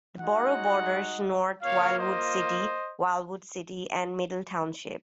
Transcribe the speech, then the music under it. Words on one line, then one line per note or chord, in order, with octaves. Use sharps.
The borough borders North Wildwood City, Wildwood City, and Middle Township.
G#3 D#4 F#4 D#5 F#5
A#3 F4 C#5 F5
C5 D#5